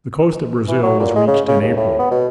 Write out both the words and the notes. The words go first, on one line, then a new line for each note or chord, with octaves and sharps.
The coast of Brazil was reached in April.
E3
F#3
A#2
G#3
C#3
C#3
D#2
A2
B3
B2